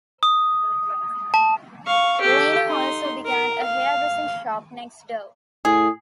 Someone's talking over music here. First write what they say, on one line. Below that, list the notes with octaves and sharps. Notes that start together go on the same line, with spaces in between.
Lena also began a hairdressing shop next door.
D#6
A5
F5 C#6
G4 A4
D#4 C6
A#4
F5
A2 G#4